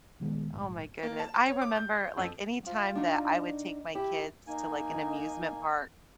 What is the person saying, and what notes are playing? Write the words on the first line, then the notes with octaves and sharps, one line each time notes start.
Oh my goodne I remember, like, anytime that I would take my kids to, like, an amusement park,
A#1 D#3 G#3 B3
A#1 G#2
A#3
A5
A5
C#5
D6
G6
F2
F4
D4 D#4 F#4
E4 G4
A#3 D#4 G#5